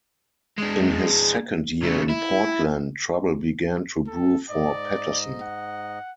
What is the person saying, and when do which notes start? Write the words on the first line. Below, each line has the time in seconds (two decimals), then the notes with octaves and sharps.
In his second year in Portland, trouble began to brew for Patterson.
0.58 G#3 D4
1.83 C#3 A3
2.09 E4
4.07 A4
4.50 G#2 D5 D#5
5.41 F#5